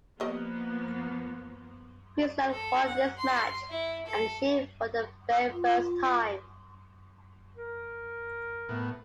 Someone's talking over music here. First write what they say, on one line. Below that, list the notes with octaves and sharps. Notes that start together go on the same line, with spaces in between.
Queensland won this match and the Shield for the very first time.
F3 G3 A#3 B3 D#5
A4
F#5
C6
E4
A4
F4
A#4
A2 B3